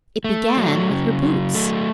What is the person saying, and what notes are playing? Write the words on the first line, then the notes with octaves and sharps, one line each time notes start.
It began with her boots.
A3
F#3
C#3
F#3
A3